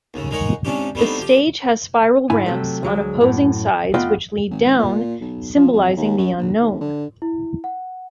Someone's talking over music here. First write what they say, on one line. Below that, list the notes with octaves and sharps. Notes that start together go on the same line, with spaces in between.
The stage has spiral ramps on opposing sides which lead down, symbolizing the unknown.
D#2 C#3
G#3 D#4 A#4 C#5 F#5
G#2 C3 C#4 D4 G4
G3 A3 B3 C4 D4 D#4
F3 G4
G#2 D3 E4 G#5
C3 F#3 A3
D2 F#3 G#3
F#2 A2
F2 A3 B3 F4 D#5 G5
G#1
A#2
B1
F3
F2
D#2
F#2
A#1
D#2
D3
E4
F#5